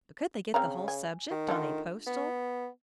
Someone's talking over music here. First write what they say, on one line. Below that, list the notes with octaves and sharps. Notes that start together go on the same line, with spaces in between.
But could they get the whole subject on a postal?
C#3 C4 F5 A#5
G#5
D#3
D3 A3 F4
B3